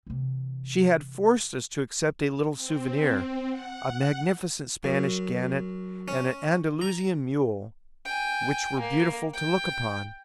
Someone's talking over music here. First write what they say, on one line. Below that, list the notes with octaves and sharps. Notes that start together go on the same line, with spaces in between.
She had forced us to accept a little souvenir, a magnificent Spanish GENET and an Andalusian mule, which were beautiful to look upon.
C3 E3
C4
F#5
F#2
C#4
A#5
G5 G#5
A#3
G5